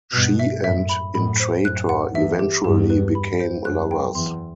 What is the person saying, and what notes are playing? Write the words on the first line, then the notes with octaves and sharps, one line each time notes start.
She and Intrator eventually became lovers.
G2 B2 F#6
E5
F#2 A2 E5
B5
F#2 A2 B5
C5
F#2 A2 F#6
F#5
E2 G2 E5
G4
E2 G2 G4
B4
B5
C5
F#2 F#6
G5
E2 C6